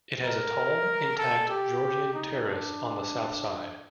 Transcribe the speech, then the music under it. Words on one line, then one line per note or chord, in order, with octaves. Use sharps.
It has a tall, intact Georgian terrace on the south side.
A#4
A4
G4
D#4
D4